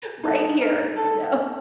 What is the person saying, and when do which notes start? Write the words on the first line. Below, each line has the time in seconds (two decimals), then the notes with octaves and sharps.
right here." You know?
0.23 D#4 A4
0.61 A#4
0.96 A4